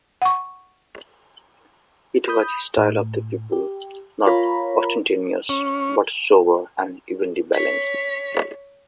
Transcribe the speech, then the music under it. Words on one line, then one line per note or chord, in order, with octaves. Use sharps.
It was a style of the people, not ostentatious but sober and evenly balanced.
F#5 C#6
B5 D#6 G6
A2
G4
F4 A#4 C#5 A#5 B5
C#4
C#5 B6